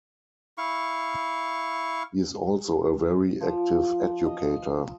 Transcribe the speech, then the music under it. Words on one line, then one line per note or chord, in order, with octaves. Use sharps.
He is also a very active educator.
E4 F5 C#6
F3
D#5